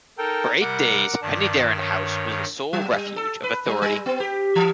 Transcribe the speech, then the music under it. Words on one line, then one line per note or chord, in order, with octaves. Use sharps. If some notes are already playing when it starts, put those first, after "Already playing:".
For eight days, Penydarren House was the sole refuge of authority.
D#4 A4 A#4 G5
C3 G3 A#4 F#5 D6
G2 D#3 D5 A5
C#5
F#3
G3
A4
B4
G3
G3
B3
G4
E3